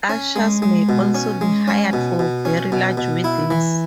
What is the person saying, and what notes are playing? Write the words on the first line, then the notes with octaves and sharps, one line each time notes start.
Ushers may also be hired for very large weddings.
C#4
G#3
G#3
B2
C#4
G#3
C#4
B2
B2
C#4
B2
B2
E4
E3